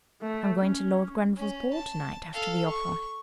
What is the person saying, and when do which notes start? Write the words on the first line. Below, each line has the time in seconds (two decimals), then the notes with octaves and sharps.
I am going to Lord Grenville's ball to-night after the opera.
0.22 A3
0.61 C#4
1.37 C#4
1.73 A5
2.33 A4 F5
2.68 C#6